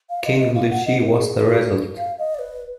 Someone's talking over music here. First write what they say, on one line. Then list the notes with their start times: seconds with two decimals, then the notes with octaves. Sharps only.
King Ly Chee was the result..
0.10 F5
0.25 D#5
0.39 D#5
0.55 F5
0.70 F#5
0.86 D#5
1.01 A#4
1.17 G#4
1.46 F#4
1.97 F5
2.19 D#5
2.34 D5
2.39 B4